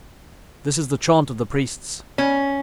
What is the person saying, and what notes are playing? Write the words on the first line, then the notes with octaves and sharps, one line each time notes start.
This is the chaunt of the Priests.
C#4